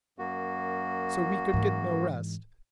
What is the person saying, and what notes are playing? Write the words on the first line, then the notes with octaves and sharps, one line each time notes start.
So we could get no rest!
F#2 A#3 F#4
G#2 E3